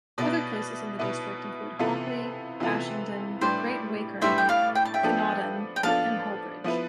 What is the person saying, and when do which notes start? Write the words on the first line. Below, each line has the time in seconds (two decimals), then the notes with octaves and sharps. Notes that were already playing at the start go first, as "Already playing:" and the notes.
Other places in the district include Hockley, Ashingdon, Great Wakering, Canewdon and Hullbridge.
0.18 B2 B3 E4 D5
0.99 B2 B3 E4
1.79 C3 E3 B3 F4 A4
2.60 C3 E3 B3 F4 A4
3.41 A2 G3 D4 G4 B4 C5
4.22 A2 G3 D4 G4 B4 C5 E5
4.38 G5
4.49 D5 F5
4.75 G5
4.85 A5
4.94 E5 G5
5.03 F3 B3 D4 A4
5.76 G5
5.83 F3 B3 D4 A4 F5 A5
6.64 F3 B3 E4 B4